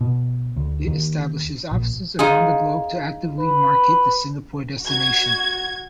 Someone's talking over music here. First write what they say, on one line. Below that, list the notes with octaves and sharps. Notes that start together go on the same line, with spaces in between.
It establishes offices around the globe to actively market the Singapore destination.
B2
D2
D#2
A#1
D#4 F4 G#4
B4
F#4 G#6